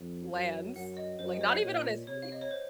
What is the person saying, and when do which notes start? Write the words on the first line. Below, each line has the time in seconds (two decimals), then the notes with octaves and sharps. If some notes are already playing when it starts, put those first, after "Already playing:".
lands, like, not even on his feet,
Already playing: F2
0.31 F#2
0.75 F#2 F#5
0.97 D#5
1.19 F#2 C5
1.32 D#5
1.41 C#5
1.63 A#2 C#5
2.07 C3 C#5
2.22 F5
2.32 D#5
2.41 C#5
2.51 C5